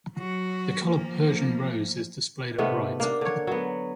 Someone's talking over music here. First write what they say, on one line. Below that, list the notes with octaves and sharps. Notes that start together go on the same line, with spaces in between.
The color Persian rose is displayed at right.
F#3 F#4
F3 A#3
C3 D#3 A3 B3
A#3 D4
D3 C#5
F#3 B3